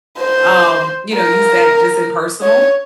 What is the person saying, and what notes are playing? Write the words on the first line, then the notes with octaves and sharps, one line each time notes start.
um, you know, use that just in personal?
C5
A#4
C#5